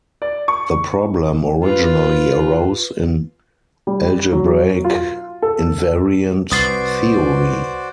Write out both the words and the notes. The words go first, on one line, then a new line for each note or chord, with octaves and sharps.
The problem originally arose in algebraic invariant theory.
D5
C#6
F4 B4
G3
F#3
F4
A4
C2 F#4 B4 C5 D5 D#6 A6 C7